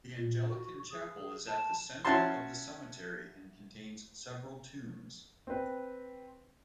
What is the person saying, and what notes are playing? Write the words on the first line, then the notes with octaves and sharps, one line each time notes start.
The Anglican Chapel is at the centre of the cemetery, and contains several tombs.
A#2
F#4
G#4
A5
C#4 E4 F#4 A5 C6
C4 B4